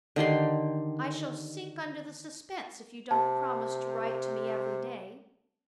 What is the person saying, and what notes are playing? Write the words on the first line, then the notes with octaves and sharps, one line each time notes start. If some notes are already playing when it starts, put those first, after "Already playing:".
"I shall sink under the suspense, if you don't promise to write to me every day."
D3 D#3 G4 C6
C3 A5